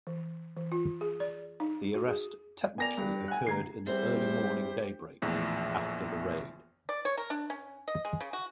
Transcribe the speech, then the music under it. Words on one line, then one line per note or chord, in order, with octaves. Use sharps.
The arrest technically occurred in the early morning daybreak after the raid.
E3
E3
F4
G#4
D5
D#4
F#4
G#4
B3 A#4 D5 G#5 A#6 F7
G2
F#5 G#5 F#6
G2 D3 A3 A#5 G#6 C7
E2 G3 C4 G4 C5
A#1 E2 A2
D5
C#5
A#4
D4
C#4
D#5
G#3
C#3
F#4